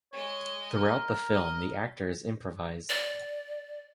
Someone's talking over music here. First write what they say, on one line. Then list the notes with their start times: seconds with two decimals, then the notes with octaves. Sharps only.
Throughout the film the actors improvised.
0.13 G#3 C#5 D#5
0.73 A#4
1.32 D#5
2.89 D5